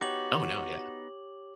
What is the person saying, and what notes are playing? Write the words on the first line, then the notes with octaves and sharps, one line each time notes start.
Oh no, yeah.
B3 D#4 F#4 G4 C#5 D6 F#7